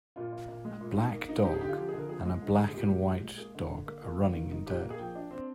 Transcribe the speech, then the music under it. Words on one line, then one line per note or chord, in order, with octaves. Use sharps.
A black dog and a black and white dog are running in dirt.
A#2 F4
A#2
A#2
G#3
A#2
D#4
A#3
D#4
D#4 G4
G#4
D3 G4
F4
F3 G4
G#4
D3 A#4
F3 G#4
G#3
D3
D3
G#4
A#2 G4
G#3
A#2
G#3
A#3 G#4
D3
D3
A#3
A#3 F4
D#3
D#3
D#4
A#2 G4
A#3 A#4
G#4
F3 G5
D4
C4